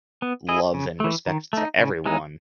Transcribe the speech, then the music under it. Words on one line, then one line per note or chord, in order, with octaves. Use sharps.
love and respect to everyone."
B3
E4 G#4 D#5
C#3
E3 A3
D#3
A3 D#4
C#3
E3 G#3 B3 D#4